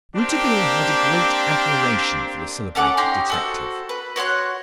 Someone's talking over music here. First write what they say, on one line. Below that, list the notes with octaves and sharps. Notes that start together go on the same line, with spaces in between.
Rouletabille had a great admiration for the celebrated detective.
A#3 C4 D4 G4
C#4 A4 F#5 D6
C#4 D#4 G4 C6
F#4 A4 C5
B4
F#4 C#5 C6 F#6